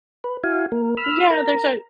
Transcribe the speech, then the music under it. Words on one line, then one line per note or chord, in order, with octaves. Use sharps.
Yeah, there's a
B4
E4 F#4 F5 G#5
A#3 A#4
B5 E6 F6
A#4 A#5